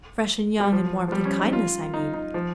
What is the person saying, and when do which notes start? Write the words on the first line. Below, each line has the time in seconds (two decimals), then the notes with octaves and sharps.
'Fresh and young in warmth and kindness, I mean.
0.60 G3
0.72 F3
1.08 F3
1.12 G3
1.25 C#4
1.39 D#4
1.53 F4
1.94 D#4
2.14 D#4
2.34 F3